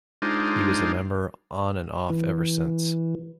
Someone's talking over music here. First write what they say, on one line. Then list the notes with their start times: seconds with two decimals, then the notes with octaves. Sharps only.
He was a member on and off ever since.
0.22 G#3 D4 D#4 F4 C5
2.10 E3